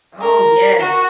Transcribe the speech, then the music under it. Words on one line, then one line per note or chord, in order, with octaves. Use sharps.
Oh, yes.
A#4
F#4